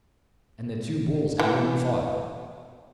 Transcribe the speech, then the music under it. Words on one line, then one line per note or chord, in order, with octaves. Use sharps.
And the two bulls at it and fought.
E3